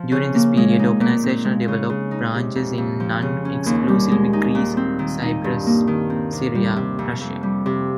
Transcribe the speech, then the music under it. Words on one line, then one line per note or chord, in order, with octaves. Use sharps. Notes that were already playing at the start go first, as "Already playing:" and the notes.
During this period, organization developed branches in non exclusively Greece, Cyprus, Syria, Russia.
Already playing: F3
C#3
A#3
G#3
D#4
A#2
C4
G#3
C#3
C#3
D#4
C3
F2
F2
F3
C#3
C#4
D#2
G3
G#3
D#4
A#2
C4
D#3
D#4
G2
A#3
D#3
C4
C3
G3
C3
F2
F2
G3
C3